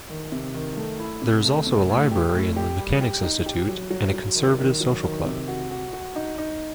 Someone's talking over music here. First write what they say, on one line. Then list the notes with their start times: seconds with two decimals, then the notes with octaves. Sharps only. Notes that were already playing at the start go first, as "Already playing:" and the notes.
There is also a library in the Mechanics Institute, and a Conservative Social Club.
0.10 D#3
0.32 C3
0.54 D#3
0.77 A3
1.00 E4
1.22 C3
1.44 A3
1.67 C3
1.89 A2
2.11 G4
2.34 A2
2.56 G4
2.79 G3
3.01 G4
3.23 D#4
3.46 G4
3.69 F#3
3.91 F#3
4.13 F#3
4.36 D#3
4.59 D#3
4.81 F#3
5.03 D#3
5.26 C3
5.48 F#4
5.71 F#4
5.93 F#4
6.16 D#4
6.38 D#4